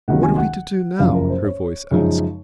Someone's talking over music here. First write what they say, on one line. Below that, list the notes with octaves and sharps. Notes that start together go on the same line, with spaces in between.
"What are we to do now?" her voice asked.
C#2 C3 D#3 F#3 A#3 F#5
G#5
F#5
F#1 F#2 F3 F5
A#4
C5
C#5
F#2 C#3 F3 G#3 D#4